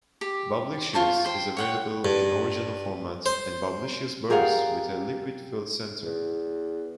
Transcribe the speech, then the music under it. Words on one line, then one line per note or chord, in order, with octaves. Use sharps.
Bubblicious is available in original format and Bubblicious Bursts with a liquid-filled center.
G4
F4 C5 A5 C#6
C5 G5
C#5 F#5 G5
G2
C5
G4 G#4 A#4 D5 F5 F#5
E2